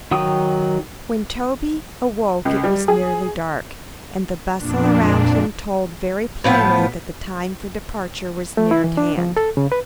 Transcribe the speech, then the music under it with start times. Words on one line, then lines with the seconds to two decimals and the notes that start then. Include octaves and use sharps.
When Toby awoke it was nearly dark, and the bustle around him told very plainly that the time for departure was near at hand.
0.11 D#3 F#3 G5 D#6
2.45 C#2
2.64 G3
2.88 G#4
4.57 F2 A#2 D4
6.44 A2 F3 A#3 B3
8.57 A3
8.71 E4
8.84 E3
8.97 D4
9.18 F3
9.37 A4
9.57 C#3
9.72 B4